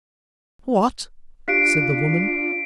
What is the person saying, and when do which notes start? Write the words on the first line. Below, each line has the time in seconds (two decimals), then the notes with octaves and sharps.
"What?" said the woman.
1.48 D4 F4 G4 F5 F#6 B6 C7 D7